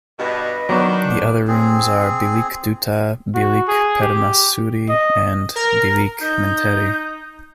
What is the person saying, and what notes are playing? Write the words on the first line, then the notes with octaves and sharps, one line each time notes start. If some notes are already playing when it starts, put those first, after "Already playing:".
The other rooms are "Bilik Duta", "Bilik Permaisuri" and "Bilik Menteri".
G2 B2 B4 D#5
D#3 F#3 B3 D4 F#4
C4 G#4
F#4
G#4
G4
D#5
A#4
D#4 G6